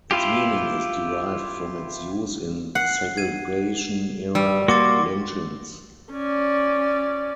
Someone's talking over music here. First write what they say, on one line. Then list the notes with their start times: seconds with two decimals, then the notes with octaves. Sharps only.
Its meaning is derived from its use in segregation era lynchings.
0.11 E4 F4 G4
2.75 F#5 C7
3.17 G#6 D#7
4.35 G3 E6
4.68 A#3 F#4 C6 D6 A6
6.12 C#4 D5